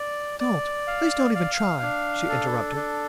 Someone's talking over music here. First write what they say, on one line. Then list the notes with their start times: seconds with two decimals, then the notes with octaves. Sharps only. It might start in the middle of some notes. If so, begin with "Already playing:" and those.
"Don't--please don't even try," she interrupted.
Already playing: D5
0.40 D5
0.87 F5
1.35 F5
1.82 D4
2.29 A4
2.76 D4